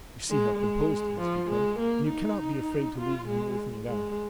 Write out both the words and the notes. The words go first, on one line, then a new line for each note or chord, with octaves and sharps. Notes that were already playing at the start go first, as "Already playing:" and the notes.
You see how composed he has become, and you cannot be afraid to leave him with me now.
G#3
G#3
F3
G#3
A#3
D#4
F4
G#3
G#3